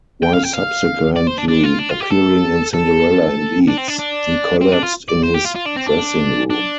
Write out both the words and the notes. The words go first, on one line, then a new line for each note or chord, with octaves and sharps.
While subsequently appearing in "Cinderella" in Leeds, he collapsed in his dressing room.
G5
F5
G5
F5
D5
C5
D4
D4
F4
D4
F4
G4
A4
A4
D4
C4
D4
D4
C4
D4
F4
D5
C5
G4
F4
F4
D4
C4
D4
D4